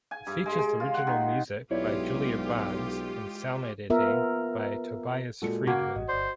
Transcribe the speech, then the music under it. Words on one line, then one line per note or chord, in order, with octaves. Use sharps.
It features original music by Julia Barnes and sound editing by Tobias Friedman.
G#5
G2
G#3
G#3
F4
F#5
D#3
B1 G#3 E4 F4 G4 C#5 D5
B3 F4 A#4 E5
A#2 G#3 F#4 A4 C#7
C#3 A#3 F#4 D6 G#6
A1 D#5
G1 C5 D5